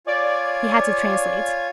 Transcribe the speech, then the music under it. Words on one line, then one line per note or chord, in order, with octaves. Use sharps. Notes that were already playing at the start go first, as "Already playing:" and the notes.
He had to translate.
F4 C#5 D5 G#5